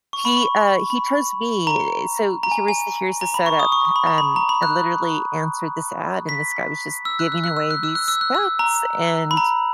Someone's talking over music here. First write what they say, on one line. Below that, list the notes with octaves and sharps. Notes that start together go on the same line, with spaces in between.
he, uh he chose me, eh, so here was here's the setup. Um, I literally answered this ad, and this guy was just giving away these cats, and,
C#6
B5
C#6
B5
A#5
A#5
G#5
G#5
A#5
B5
C#6
D#6
C#6
C#6
B5
A#5
B5
A#5
B5
F#6
B6
E6
F#6
E6
F#6
E6
F#6
E6
F#6
E6
F#6
E6
A#5
B5
A#5